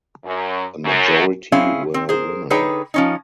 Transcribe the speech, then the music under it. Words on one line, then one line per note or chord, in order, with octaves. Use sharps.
A majority were women.
F#2
F#2
C4 C#4 E4 G#4 F5
C4
G#4 A#4 C5
D3 D#4 G#4 B4 C#5 G5
F3 C#4 D#4